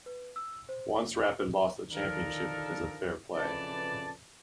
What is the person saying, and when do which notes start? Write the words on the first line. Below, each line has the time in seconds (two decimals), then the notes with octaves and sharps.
Once Rapid lost the championship because of fair play.
0.06 B4
0.36 E6
0.69 C5
1.92 D3 D#3 F3 D4 A4 A#4
3.36 F2 C#3 E3 B4 D5 A5